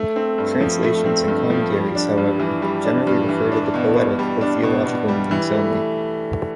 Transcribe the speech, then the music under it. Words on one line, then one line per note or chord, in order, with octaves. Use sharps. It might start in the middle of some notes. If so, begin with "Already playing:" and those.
Translations and commentaries, however, generally refer to the poetic or theological meanings only.
Already playing: A3
C4
G2
F3
A3
C4
G2
F3
G3
D4
G2
E3
G3
D4
G2
E3
D4
B2
B2
G3
D4
B2
B2
G3
E3
A3